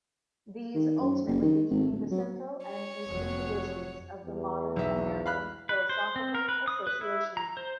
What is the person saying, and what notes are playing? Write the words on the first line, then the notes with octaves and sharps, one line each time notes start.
These ultimately became the Central and Eastern Divisions of the modern American Philosophical Association.
D#3
F#2
F#1
D#3
G#1
D1
F#3
C#5
F1 F#3
E2
B1 E5
F5 B5 F#6
B4
C5
C4
A#4
B4
D#6
B4
E4
A#5
C5